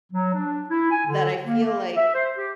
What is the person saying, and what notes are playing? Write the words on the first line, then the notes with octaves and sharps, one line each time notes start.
that I feel like
F#3
D4
E4
G#5
D3
A#3
A#3
E5
C5
G4